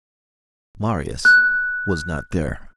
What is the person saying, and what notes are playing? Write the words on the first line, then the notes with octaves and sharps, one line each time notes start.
Marius was not there.
F#6